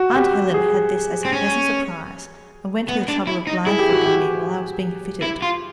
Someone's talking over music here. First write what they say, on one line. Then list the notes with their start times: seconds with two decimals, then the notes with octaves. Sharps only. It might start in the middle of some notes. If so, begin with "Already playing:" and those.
Aunt Helen had this as a pleasant surprise, and went to the trouble of blindfolding me while I was being fitted.
Already playing: F#4
0.16 G4
0.54 G#4
1.25 C4
1.33 C#4
2.89 B3
3.08 D4
3.27 E4
3.47 D#4
3.66 E4 G#4
3.79 G4
3.93 F#4
4.06 G4
5.22 E4
5.42 F4